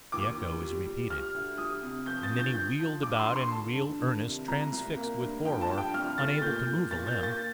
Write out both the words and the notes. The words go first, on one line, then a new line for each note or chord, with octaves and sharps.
The echo was repeated, and then he wheeled about in real earnest, transfixed with horror, unable to move a limb.
D#2 D6
D#2
G3
G3
G3 F6
D2
G3 D#6
C3
F3 G6
A6
D3
G6
D3 G6
F3
G2 D6
C6
G2
C6
D3 A5
G2
D#3
C3
C2 A#5
C2
A#3
G2
F3 G5
A5
G2
G5
C2 F6
A3 A6
A#2 G6
A#2
A#2 A6
G6
A#3
A6